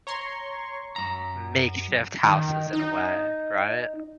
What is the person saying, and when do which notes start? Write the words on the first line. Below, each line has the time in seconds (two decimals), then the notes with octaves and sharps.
makeshift houses, in a way, right?
0.07 C#5 A#5 C6 C#6
0.96 F#2 A#5
2.24 D#3
2.73 D#4